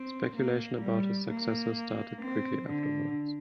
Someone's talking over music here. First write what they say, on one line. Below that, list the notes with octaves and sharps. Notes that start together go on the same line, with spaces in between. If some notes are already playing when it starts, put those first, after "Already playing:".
Speculation about his successor started quickly afterwards.
Already playing: C4
A#3
G3
A#3
C4
D3